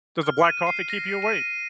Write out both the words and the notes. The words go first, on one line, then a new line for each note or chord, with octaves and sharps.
Does the black coffee keep you awake?
F6
D#7
C7
A#6
D#7